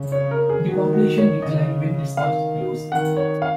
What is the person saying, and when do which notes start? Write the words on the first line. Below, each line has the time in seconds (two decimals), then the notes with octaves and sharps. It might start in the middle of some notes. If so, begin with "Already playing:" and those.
The population declined when this was closed.
Already playing: C#3
0.12 C#5
0.31 A#4
0.49 G#4
0.68 D#3 F#4
0.93 F#4
1.18 C#5
1.42 C#3 D#5
2.17 D#3 F5
2.92 D#3 F#5
3.17 C#5
3.42 F5